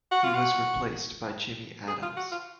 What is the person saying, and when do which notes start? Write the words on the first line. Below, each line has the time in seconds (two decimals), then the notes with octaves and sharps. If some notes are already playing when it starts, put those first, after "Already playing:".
He was replaced by Jimmy Adams.
0.12 F#4
0.23 F4
0.35 F#4
1.88 G#4
2.03 F4
2.17 F#4
2.32 F4